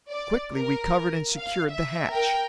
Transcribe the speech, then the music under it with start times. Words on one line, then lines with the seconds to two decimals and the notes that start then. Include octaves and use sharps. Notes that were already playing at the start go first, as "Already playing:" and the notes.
Quickly we covered and secured the hatch.
0.11 D5
0.55 A#4
1.38 F5
1.71 E5
2.12 A#4 G5